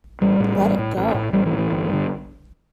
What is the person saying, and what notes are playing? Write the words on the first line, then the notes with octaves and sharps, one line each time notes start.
Let it go.
A1 G3
A2
A1
A2
A1
A2
A1 G3
E3
A2
E3
G1
G2 D3